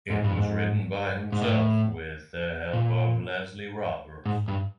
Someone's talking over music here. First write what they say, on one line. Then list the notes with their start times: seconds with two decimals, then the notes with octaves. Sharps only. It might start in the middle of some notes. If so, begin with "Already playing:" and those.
It was written by himself with the help of Leslie Roberts.
0.10 G#2
0.24 G2
0.37 G#2
1.32 G#2
1.42 A2
2.73 A#2
4.26 G#2
4.48 G2